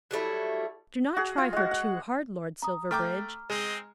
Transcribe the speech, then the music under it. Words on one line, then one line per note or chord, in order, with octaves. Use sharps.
Do not try her too hard, Lord Silverbridge.
F#3 G3 A3 E4
F#4 G#4
F4
G#3 F#4
F#5
A#5 D#6
A3 G5 A#5 D6 F6
G#3 C4 D#5